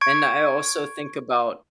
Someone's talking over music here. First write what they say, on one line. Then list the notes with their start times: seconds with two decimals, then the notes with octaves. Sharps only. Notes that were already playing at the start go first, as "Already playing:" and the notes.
and I also think about
0.01 C#6 G#6 D7